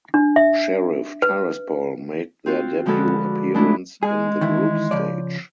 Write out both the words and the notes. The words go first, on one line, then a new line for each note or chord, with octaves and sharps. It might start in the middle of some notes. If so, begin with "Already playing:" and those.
Sheriff Tiraspol made their debut appearance in the group stage.
D4
E5
B4
C4 F4 F#4
D3 F3 G#3 B3 F#4 A4
G#3 A3 B3 D4 E4
G#3 G#4
D#3 E3 E4
C#3 F3 D5